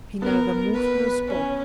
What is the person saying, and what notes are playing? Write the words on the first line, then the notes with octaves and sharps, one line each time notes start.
He neither moved nor spoke.
B3 A#4
B4
C#4